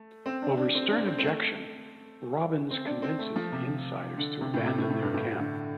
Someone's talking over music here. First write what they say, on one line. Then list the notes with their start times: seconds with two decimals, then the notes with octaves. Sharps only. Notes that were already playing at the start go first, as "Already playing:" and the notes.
Over stern objection, Robbins convinces the Insiders to abandon their camp.
Already playing: A3
0.26 C4
0.42 D4
0.58 D4
0.75 C4
0.91 D4
1.07 C4
1.18 C4
1.23 A3
2.71 C4
2.86 D4
3.02 C4
3.19 A3
3.36 F3
3.52 C3
4.17 D3
4.41 C3
4.54 A2
4.66 C3
4.78 A2
4.90 A2
5.03 G2
5.14 A2
5.39 D3